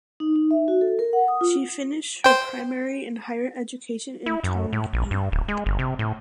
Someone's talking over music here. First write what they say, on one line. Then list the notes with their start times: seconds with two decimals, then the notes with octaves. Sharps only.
She finished her primary and higher education in Taunggyi.
0.20 D#4
0.36 D#4
0.51 E5
0.68 F#4
0.81 A4
0.99 A#4
1.13 F#5
1.28 D#6
1.41 F4
2.24 C5 G5
4.26 E4
4.44 F#2
4.73 A2
4.93 A#1
5.11 G2
5.32 D1
5.48 G#3
5.66 G1
5.79 C3
5.99 A2